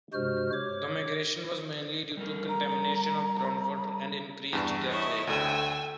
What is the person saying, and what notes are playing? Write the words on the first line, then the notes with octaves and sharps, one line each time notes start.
The migration was mainly due to contamination of groundwater and increased death rate.
G2 C3 G#3 F#4 C5 F6
C#5 D6
G3 A4 A#4
A#5
E2 G2
E4 C#5 D#5
D2 D3 G5 G#5 E6